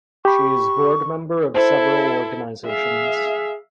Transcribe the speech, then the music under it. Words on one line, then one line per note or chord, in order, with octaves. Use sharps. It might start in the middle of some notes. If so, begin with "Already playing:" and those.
She is board member of several organizations.
G4 B5 C#6
E4 A4 C5
G#4 E5 F5